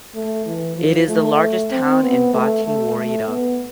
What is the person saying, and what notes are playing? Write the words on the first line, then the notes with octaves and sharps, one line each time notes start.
It is the largest town in Bati woreda.
A3
E3
F3
A3
C4
B3
A3
A3
A3
B3